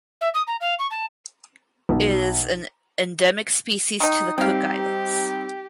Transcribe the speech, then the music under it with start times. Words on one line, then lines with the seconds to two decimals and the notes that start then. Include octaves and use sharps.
It is an endemic species to the Cook Islands.
0.21 E5
0.34 D#6
0.47 A#5
0.60 F5
0.79 C#6
0.90 A5
1.89 B1
4.00 D#3 D#4
4.38 G3 C4 D#4 G4 F5 G5